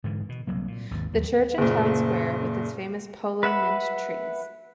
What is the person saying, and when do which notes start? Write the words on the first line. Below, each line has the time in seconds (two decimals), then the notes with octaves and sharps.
The church and town square, with its famous "polo mint trees".
0.04 G#2 D3 E3
0.29 B2
0.47 C2 F#3 A#3
0.68 A#2
0.91 G#1 D#2 B2
1.13 D#2 F#3
1.58 F#1 A#2
3.43 B4 E5 F#5 B5